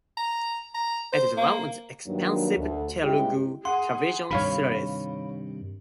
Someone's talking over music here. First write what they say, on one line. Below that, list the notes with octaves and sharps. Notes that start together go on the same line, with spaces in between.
It is one of the expensive Telugu television series.
A#5
A#5
C5
A#3
G2 D#3 F#3 A#3 D4
D2
G2 C#3 G#3 E4 G4
G#4 F#5 C6
G2 C3 D#3 C#5 F5 B5